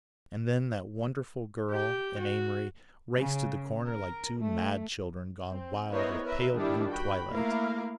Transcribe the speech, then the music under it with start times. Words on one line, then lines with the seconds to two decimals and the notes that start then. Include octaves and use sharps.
And then that wonderful girl and Amory raced to the corner like two mad children gone wild with pale-blue twilight.
1.71 G4 G5
2.19 F#4
3.17 C#3
3.87 A#4
4.39 A3
5.49 C4
5.90 B3 E4 A#4 C5 C#5 D#5
6.23 A#4 B4 E5
6.55 D#3 G3 D4 E4 G4
6.89 F#4 G5 B5
7.31 A3 A#3 E4 A#4 F5